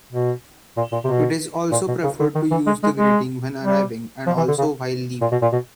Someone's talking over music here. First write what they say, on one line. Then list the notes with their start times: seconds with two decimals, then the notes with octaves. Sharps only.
It is also preferred to use the greeting when arriving and also while leaving.
0.12 B2
0.77 A#2
0.92 A#2
1.04 C3
1.07 B2
1.72 A#2
1.88 B2
2.03 C#3
2.19 D3
2.35 D#3
2.51 E3
2.67 G#3
2.83 G#3
2.98 G#3
3.63 G3
4.26 F3
4.37 E3
4.48 D3
4.58 C#3
5.21 A#2
5.31 B2
5.42 A#2
5.52 B2